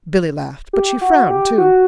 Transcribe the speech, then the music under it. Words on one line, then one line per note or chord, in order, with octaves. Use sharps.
Billy laughed, but she frowned, too.
G4
F#4
G4
F#4